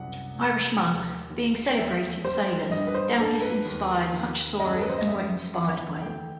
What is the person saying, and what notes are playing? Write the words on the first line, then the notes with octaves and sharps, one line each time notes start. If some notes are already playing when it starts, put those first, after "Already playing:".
Irish monks, being celebrated sailors, doubtless inspired such stories and were inspired by them.
Already playing: C2 F#2 F#5
C2
D#2
D#2
E2 E5
G3 C5
G2 D#5
B4
C5
G2 A4
B4
D#2
D#2
F#2 D#5
A4
B4
C5
D#5
F#2 E5
E2 F#5
A3 G5